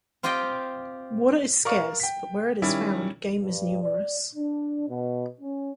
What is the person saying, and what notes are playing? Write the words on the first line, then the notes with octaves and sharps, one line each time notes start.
Water is scarce, but where it is found, game is numerous.
C4 F4 G4 D#5 G5
A#4 D5 F5 C#6
G5 B6
D#3 G3 C#4 E4
G2
D5
D4
B2
C#4